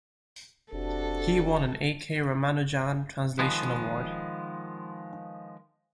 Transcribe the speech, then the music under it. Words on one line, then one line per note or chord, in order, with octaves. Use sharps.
He won an A. K. Ramanujan Translation Award.
F1 C3 D4 F#4 A4
D#3 F3 G#3 B3